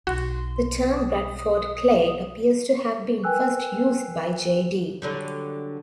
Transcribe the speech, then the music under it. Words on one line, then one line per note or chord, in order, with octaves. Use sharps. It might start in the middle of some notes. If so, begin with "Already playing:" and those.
The term "Bradford Clay" appears to have been first used by J. de.
B1 F#4 C6
D#6
A#4 B4 G5 G#5 E6 F#6
D3 F#3 G3